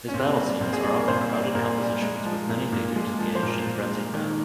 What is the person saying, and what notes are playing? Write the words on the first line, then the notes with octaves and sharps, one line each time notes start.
His battle scenes are often crowded compositions with many figures engaged in frenzied battle.
C#4
A#2 C4
G3
A#2 C4
G#4
G3 G#4
A#4
A#2 C5
G3
A#2 A#4
G3
G#3
F3
A#2
A#2
G#3
F3
C5
A#2 A#4
A#2
G#3
D#3